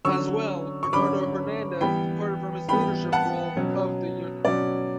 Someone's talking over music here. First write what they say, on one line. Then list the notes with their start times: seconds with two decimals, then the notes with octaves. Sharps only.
As well, Bernardo Hernandez departed from his leadership role of the unit.
0.05 D3 F#3 C#4 C#6 E6
0.83 C#6
0.93 D3 F#3 C#4 B5 D6
1.81 E3 G3 B3 G5 B5
2.69 E3 G3 B3 G5 B5
3.12 F#5 A5
3.57 B2 F#3 C#4
4.45 B2 F#3 C#4 D5